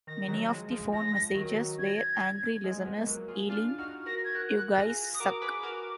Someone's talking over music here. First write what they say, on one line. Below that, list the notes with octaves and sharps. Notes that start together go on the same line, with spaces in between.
Many of the phone messages were angry listeners yelling You guys suck!
D#3 A#6
D#3 F#3
F3 G#3
F3 G#3
F3 G#3 A#6
D#3 F#3
G#6
A#6
G#6
F3 G#3
G#3 B3
F#3 A#3
F4 G#4
D4 F4 F6
D#4 F#4 F6
F#4 A#4 A#6
G#6
F#4 A#4 F#6
F#6
F4 G#4 A#6
D#6
F#4 A#4 D6
G#4 B4
F#4 A#4